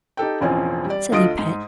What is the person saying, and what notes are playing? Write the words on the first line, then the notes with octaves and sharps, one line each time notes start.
Silly pet!
D#4 G4 A4 G5
E1 A1 F3 C4 C#4 G#5
G3 D5
D2 F4 D#5 D#6 D7
G#2